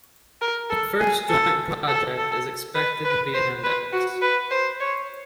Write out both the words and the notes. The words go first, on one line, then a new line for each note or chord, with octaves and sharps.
The first joint project is expected be an index.
A#4
A4
G#4
A4
A4
A4
B4
B4
C5
B4
F#4
B4
C5
C#5